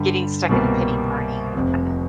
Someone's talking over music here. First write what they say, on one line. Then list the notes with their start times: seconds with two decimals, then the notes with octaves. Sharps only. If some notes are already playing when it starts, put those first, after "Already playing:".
getting stuck in a pity party um,
Already playing: G2 D3 G3
0.49 C2 B2 G3 A#3
1.54 F1 F2 C3